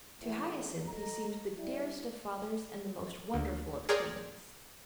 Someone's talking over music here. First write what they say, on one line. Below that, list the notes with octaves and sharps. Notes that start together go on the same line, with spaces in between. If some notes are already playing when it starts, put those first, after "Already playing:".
To Hyacinth he seemed the dearest of fathers and the most wonderful of kings.
E2 A2
A4 C#5 D#5 A#5
G3 E4 D5
D2
G#4 A#4 C#5 D5 G5 C6